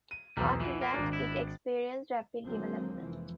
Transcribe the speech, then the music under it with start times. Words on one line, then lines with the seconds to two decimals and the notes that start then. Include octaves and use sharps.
After that, it experienced rapid development.
0.11 D#7
0.37 B1 E2 G3
0.60 B2 E3 F3
0.81 A#2 A#3
0.94 G#1 D4
1.13 E4
2.45 D#2 D3 F#3 G#3 A#3 C4
2.98 F1 E3 F3